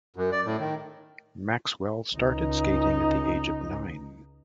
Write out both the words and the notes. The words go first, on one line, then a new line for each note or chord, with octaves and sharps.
Maxwell started skating at the age of nine.
F#2
D5
A2
D#3
C#2 D#4